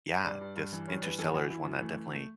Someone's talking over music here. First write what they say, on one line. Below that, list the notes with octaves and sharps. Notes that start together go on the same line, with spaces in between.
yeah, this Interstellar is one that definitely
G2 D5
G2
G2
E3
G2 C#5
E3 B4
E3 A4
E3 F#4
E3 E4
F#2
E3 A3
E3
A3